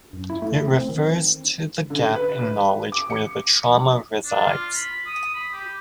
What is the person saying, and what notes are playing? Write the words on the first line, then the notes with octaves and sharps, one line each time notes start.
It refers to the gap in knowledge where the trauma resides'.
F#2
E4
A3
C4
D#3
D3
B4
D6
C#7
D4
F4
B5
D#6
B5
G4